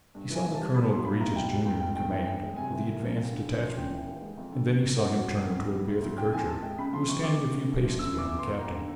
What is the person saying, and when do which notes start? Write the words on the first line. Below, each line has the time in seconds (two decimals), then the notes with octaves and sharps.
He saw the colonel greet his junior in command of the advance detachment, and then he saw him turn toward Bertha Kircher who was standing a few paces behind the captain.
0.15 G2
0.30 E3
0.35 G#5
0.46 G#1
0.54 A5
0.60 G3
0.74 A2 B5
0.91 F#3 C6
1.05 B1 B5
1.21 B1 A#5
1.35 B2 G5
1.50 G3
1.65 C#2 G5
1.80 C#2 G5
1.96 G2 G5
2.10 E3
2.26 G1 G5
2.42 G#3
2.56 C3 G#5
2.71 E3
2.86 C2
3.01 C2
3.16 D#2
3.32 D3
3.46 F1
3.61 F3
3.77 C#3 G5
3.91 E3
4.06 D#2
4.21 G#3
4.37 F2
4.52 D3
4.68 F1
4.82 F1
4.98 C#3 F#5
5.12 F#3
5.27 F2
5.43 F2
5.58 D3
5.73 G3
5.87 D2
6.02 D2
6.18 C#3 G5
6.33 F3 G#5
6.48 F2 A5
6.63 G#3 G5
6.78 C#3 B5
6.93 F3 C6
7.08 F2 C#6
7.23 F2 D6
7.38 F2
7.53 D3
7.69 G1
7.84 F3
7.98 C#3 E6
8.14 E3 D6
8.29 E2
8.39 C6
8.44 E2
8.59 D#2 A#5
8.74 D3